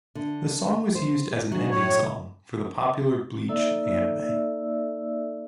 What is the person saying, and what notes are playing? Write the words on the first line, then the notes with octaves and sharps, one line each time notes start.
The song was used as an ending song for the popular "Bleach" anime.
D3
C5
G#2 F#3 D4
A2 C#5
A#3 D#4 A4 D5 E5 E6